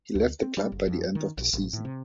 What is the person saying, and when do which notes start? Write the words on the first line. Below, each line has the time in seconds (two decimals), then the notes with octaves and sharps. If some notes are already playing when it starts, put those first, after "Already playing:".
He left the club by the end of the season.
0.15 D2
0.42 C4
0.57 G3
0.72 F#1
0.88 F2
1.15 D#3
1.37 A#1
1.53 A1
1.73 A2
1.85 C3